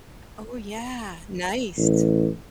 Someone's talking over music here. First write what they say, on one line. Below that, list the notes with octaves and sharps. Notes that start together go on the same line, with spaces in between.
oh yeah, nice.
A1